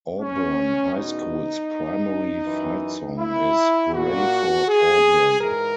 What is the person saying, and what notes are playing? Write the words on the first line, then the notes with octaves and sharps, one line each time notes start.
Auburn High School's primary fight song is "Hooray for Auburn!".
C#4
E2 B2 D#4
F#2 E3
E4
A#2 F#4
G#4
G#2 E3 A#4